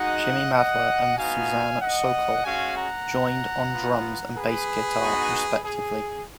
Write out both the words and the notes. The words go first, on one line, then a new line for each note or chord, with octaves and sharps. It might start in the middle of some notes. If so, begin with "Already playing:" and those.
Jimmy Madla and Suzanne Sokol joined on drums and bass guitar respectively.
Already playing: G#3 D#4 F#4 D#5 F#5
D#5 F#5
B3 D#4 F#4 F5 G#5
D#5 F#5
G#3 C#4 F#4 F5 G#5
F#5 A#5
B3 F4
G#4 B4
B3 D#4 F#4
G#4